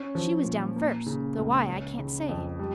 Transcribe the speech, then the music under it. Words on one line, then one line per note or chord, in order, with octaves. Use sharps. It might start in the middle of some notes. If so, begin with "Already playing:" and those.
She was down first, though why, I can't say.
Already playing: C#4
F3
A#2
A#3
C#3
C#2
C#4
C#3
F2
G3